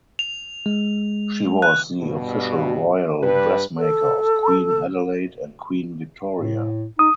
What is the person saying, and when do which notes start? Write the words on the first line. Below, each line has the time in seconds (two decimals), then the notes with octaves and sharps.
She was the official royal dressmaker of queen Adelaide and queen Victoria.
0.19 F7
0.66 G#3
1.62 F#6
2.00 G2 B2
3.22 G2 B4
3.78 A4
6.39 A2
6.99 D#4 D#6